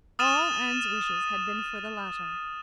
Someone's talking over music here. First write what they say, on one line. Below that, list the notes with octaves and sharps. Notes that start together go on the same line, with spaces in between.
All Anne's wishes had been for the latter.
D#6 F6 A6 D#7 E7 F#7